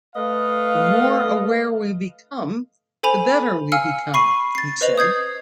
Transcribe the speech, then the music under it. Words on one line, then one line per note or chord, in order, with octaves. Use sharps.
"The more aware we become, the better we become," he said.
A3 B4 D#5 F5
A4 C5 G#5 B5 F7
F5 G#5 E6 F6 C#7 D#7
B5 C#6 C7 D#7
A6 C7
B4 C5 D#5 F7 F#7
D#6 G6 G#6 C7